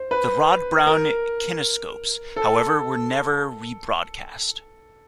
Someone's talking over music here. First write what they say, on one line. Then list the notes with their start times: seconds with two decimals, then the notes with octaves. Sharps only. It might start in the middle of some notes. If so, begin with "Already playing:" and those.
The Rod Brown kinescopes however were never rebroadcast.
Already playing: C5
0.11 B4
0.87 A#4
2.36 A4